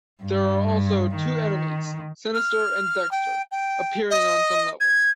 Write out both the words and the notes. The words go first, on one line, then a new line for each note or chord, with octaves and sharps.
There are also two enemies, Sinister and Dexter, appearing on some levels.
G2
D#3
F6
G5
G5
D#5
G#6